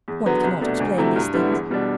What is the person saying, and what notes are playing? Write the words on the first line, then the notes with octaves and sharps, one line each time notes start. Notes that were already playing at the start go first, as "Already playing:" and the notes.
One cannot explain these things.
E2
D3 F#3 B3
C2
B2 A3 D4
D2
C3 F#3 A3 E4
G2
D3 G3 B3 E4
E2
B2 G3 D4